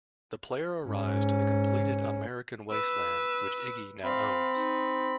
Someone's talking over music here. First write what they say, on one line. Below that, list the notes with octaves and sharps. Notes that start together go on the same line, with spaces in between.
The player arrives to the completed American Wasteland, which Iggy now owns.
G#2 C#4
B4 E6
C4 F5 B5
D#4